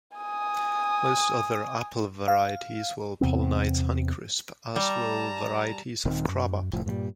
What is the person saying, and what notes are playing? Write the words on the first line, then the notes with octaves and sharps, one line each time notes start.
Most other apple varieties will pollenize Honeycrisp, as will varieties of crabapple.
G#5 D#6
F5
E2 C3 B3 C4
G3 A5 A#5
D#1 D#3 C4
F#2
F1 A2 F3
G2 A#2 E3 G3